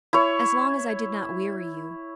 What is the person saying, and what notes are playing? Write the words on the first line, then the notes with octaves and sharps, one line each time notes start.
"As long as I did not weary you."
E4 C#5